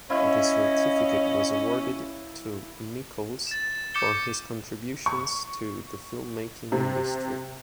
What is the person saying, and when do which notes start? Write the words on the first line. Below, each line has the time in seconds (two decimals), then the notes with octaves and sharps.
The certificate was awarded to Mikels for his contributions to the filmmaking industry.
0.10 C#4 E4 D#5 F5
3.47 A6 E7
3.94 C#6 D6 G6 C#7 G7
5.06 C#6
6.72 C3